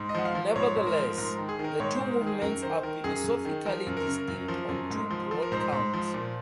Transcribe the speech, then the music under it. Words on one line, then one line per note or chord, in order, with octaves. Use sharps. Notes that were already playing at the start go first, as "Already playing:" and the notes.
Nevertheless, the two movements are philosophically distinct on two broad counts.
Already playing: G#2
D#5
F3 F#5
F5
F3
G#2 C#5
G#2
A#4
F3
G#2 A#4
D#3
G#4
D#3
A#4
G#2 C#5
C5
G#2
A#4
D#3
G#4
F#2 A#4
D#3 C5
D#3 A#4
F#2 G#4
F#2
D#3
F3 A#4
F#2
A#4
C#3
F#2
F3
F#2
G#2
F3
F3
A#4
G#2 C5
G#2
F3
A#2